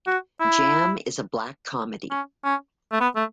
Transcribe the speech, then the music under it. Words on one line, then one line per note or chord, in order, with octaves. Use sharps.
"Jam" is a black comedy.
F#4
E4
C#4
C#4
A3
B3
A3